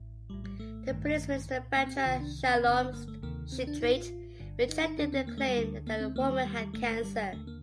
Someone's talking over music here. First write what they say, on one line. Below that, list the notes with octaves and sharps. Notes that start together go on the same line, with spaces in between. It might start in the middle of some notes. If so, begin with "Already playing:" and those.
The police minister Bechor-Shalom Sheetrit rejected the claim that the woman had cancer.
Already playing: A1 A2
A#1 A2 G3
G3
A3
A1 G2 D#3
C2 A#2
A#3
C4
G4
C2 C3 D#3 F4
D4
C4
G1 G2 D3 C4
A#3
A3
D2 C3 D#3 A#3
C4
D4
A1 A2 D#4
F4
G1 G2 D3
D#4
D4
D#4
D#2 D3 D4
C4
A#3
A3
G3
D2 D3
A#3
C4
D#2 D#3 A#3
G3
G3
G3
G1 G2 D3 A3
G3
D#2 D3 A3
A#3